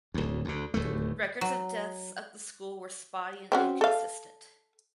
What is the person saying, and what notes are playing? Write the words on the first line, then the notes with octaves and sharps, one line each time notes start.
Records of deaths at the school were spotty and inconsistent.
D1 D2
D2 D3
D1 D#2 A3
F#3
C4 C#4 F#4
A4 F5